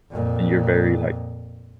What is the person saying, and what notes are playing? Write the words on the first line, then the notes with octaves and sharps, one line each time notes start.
And you're very like
F2 A#2